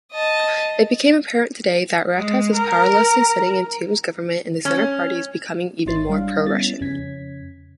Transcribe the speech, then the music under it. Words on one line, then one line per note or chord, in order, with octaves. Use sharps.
It became apparent today that Ratas is powerlessly sitting in Toom’s government and the Center Party is becoming even more pro-Russian.
D#5 A5
G#3
A#4
C#4
G#1 D#4 E4 C#5 C6 A6
G3 D4 F5
G3 B3 C#4 E4 A6
F2 C#3 C#4 G#6 B6